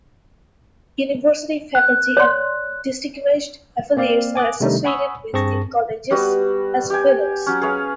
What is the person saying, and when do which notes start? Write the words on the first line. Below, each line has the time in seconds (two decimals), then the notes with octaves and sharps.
University faculty and distinguished affiliates are associated with the colleges as fellows.
1.75 F#6
2.17 C#5 D5 C6
3.97 A#3 C4 D5 F5
4.35 G#5 D6 D#6 F#6
4.60 C3 D#3 G3 A3 D4 D#4
4.84 F#5 G#5 B5 C#6 D#6 E6
5.33 G2 C4 G#4 A5 C#6 A#6
6.11 G3 B3 F#4 B4
6.90 G4 G5 G#5
7.46 F#3 C#4
7.61 G#4 B4 C#5 F5